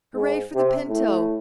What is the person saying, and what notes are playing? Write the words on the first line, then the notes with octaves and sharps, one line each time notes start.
"Hooray for the Pinto!"
G#2
C3
A2